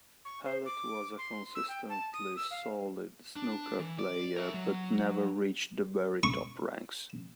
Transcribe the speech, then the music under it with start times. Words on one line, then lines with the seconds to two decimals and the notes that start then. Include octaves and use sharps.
Hallett was a consistently solid snooker player, but never reached the very top ranks.
0.25 C#6
0.45 C5
0.65 D6
1.18 C6
1.55 E6
1.69 G5
1.89 A5
2.13 D#6
2.36 E6
2.51 F5
3.36 D4
3.79 E3
3.99 D5
4.36 A#4 E5
4.54 F#3
6.23 C#6